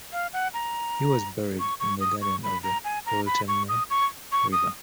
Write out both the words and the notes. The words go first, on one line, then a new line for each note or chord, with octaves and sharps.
He was buried in his garden on the Holtemme river.
F5
F#5
A#5
C#6
C#6
D#6
C#6
B5
A#5
G#5
A#5
B5
C#6
D#6
C#6
C#6
D#6